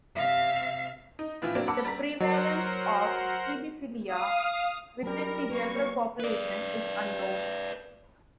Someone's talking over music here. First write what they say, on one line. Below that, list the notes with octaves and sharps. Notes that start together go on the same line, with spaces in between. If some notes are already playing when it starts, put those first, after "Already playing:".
The prevalence of hebephilia within the general population is unknown.
C3 E5 F5
D#4
A2 E3 F3 F4
F#3 A#3 C4 D4
A#4 F#5 A5 B5 D6 E6
G3 G4 A#5 B6
F#3 A#4 C5 F#5
F5 D#6
F#3 G3 C#4 A#4 B5
A#3 B4 C#6
B4 D5